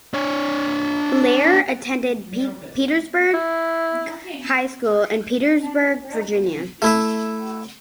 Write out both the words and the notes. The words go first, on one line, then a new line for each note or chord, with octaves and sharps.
Blair attended Petersburg High School in Petersburg, Virginia.
D4 C#5
E4
A3 E4 E5